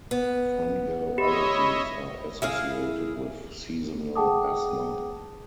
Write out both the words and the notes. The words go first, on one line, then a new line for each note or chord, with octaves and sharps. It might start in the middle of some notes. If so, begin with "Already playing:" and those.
Fungal allergies are associated with seasonal asthma.
B3
G4 C#5 D#5 E5 B5
E4 G#4 E5 F5
G#4 F#5 G5 A5 D6 D#6